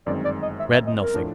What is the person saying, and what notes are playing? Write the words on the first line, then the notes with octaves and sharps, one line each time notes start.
I dread nothing.
G1 F#2 D#3 G#3 C4 D5
D5
D#5
E5
E5
D#5
A#4
A2 F3 A3 D4